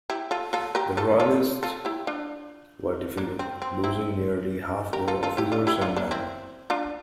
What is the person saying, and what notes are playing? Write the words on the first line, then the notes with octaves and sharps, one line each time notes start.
The Royalists were defeated, losing nearly half their officers and men.
E4 G4
F4 A4
F4 A4
G4 A#4
F4 A4
F4 A4
F4 A4
E4 G4
D4 F4
A#3 D4
C4
C4
C4 E4
G4 A#4
F4 A4
F4 A4
E4 G4
D4 F4
E4 G4
D4 F4
A#3 D4
C4 E4
D4 F4